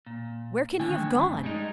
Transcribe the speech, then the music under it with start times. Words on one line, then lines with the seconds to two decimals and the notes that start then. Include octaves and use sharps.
Where can he have gone?
0.06 A#2
0.80 D3 D#3 A3 C#4 G5 G#5
1.12 G2
1.43 G3 G#3 B3 D#4